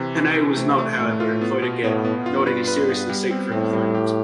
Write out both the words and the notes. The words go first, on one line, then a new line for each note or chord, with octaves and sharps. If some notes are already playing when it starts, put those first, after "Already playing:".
Hannay was not, however, employed again, nor did he seriously seek for employment.
Already playing: C3 E3
E3
E3
C3 A3
A3
A2 A3
F4
B3
B2
A2 B3
B3
G2 F4
B4
B4
B3
G3
C4
A2 C4
G3
G4